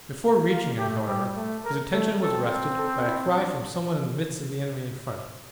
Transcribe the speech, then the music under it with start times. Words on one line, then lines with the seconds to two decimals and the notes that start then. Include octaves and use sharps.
Before reaching him, however, his attention was arrested by a cry from some one in the midst of the enemy in front.
0.50 A#3 F4
0.78 A3 G4
1.07 G3 G4
1.36 A3
1.64 A#4
1.92 A3 A4
2.20 C4 A4
2.78 A4
3.06 E4
3.35 D4